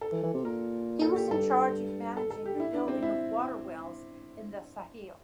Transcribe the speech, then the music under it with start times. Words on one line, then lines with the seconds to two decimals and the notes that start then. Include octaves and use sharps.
He was in charge of managing the building of water wells in the Sahel.
0.01 A4
0.12 E3
0.23 E3
0.34 C3
0.44 A#2 A#4
1.02 A4
1.16 G4
1.31 G2 A4
2.17 A4
2.31 A4
2.46 G4
2.55 D4
2.60 E4
2.74 D4
2.88 C4
3.02 E4